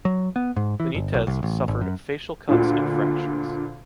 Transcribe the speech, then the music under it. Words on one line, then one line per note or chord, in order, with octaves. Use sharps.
Benitez suffered facial cuts and fractures.
F#3
B3
G#2
E3
G1
B1
C2
A1
G#1
F#2
D2 A#2 D3